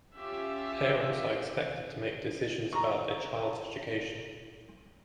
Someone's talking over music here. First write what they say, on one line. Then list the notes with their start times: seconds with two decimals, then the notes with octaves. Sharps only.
Parents are expected to make decisions about their child's education.
0.14 C#4 F4 G4 E5
2.73 A#5 C#6